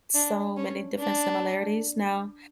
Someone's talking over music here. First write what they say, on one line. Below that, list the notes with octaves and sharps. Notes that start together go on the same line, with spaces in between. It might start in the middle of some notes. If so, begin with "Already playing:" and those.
so many different similarities now.
D4
C#4
D4